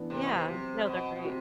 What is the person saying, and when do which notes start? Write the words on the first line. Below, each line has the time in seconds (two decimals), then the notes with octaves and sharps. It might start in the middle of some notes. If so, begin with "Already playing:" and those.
Yeah. No, they're great.
Already playing: E3 B3 D4
0.10 C3
0.23 B2
0.29 C3
0.48 C3 F#3 C4 F#4
0.87 B2
1.16 B2
1.25 C3 C4 F#4